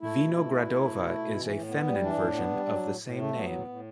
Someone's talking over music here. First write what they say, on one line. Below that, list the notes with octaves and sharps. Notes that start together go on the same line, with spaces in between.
Vinogradova is a feminine version of the same name.
A3 E4
B2
A3
B2
A3
B2
A3
B2
E3
A2
B3
G3
E3 D4
A2
B3
G3
F#3
A2
A2
A3
F#3 B3
A2
A2